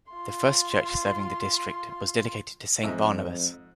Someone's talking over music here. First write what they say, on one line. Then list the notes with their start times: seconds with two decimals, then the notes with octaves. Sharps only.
The first church serving the district was dedicated to Saint Barnabas.
0.12 F4 C6
2.83 F2 G#2 D#5 E5